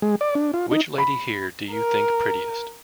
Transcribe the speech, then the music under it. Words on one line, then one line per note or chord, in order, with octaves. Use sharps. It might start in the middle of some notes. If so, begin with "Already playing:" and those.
Which lady here do you think prettiest?
G#3
D5
D4
F4
D#4
B5
A#4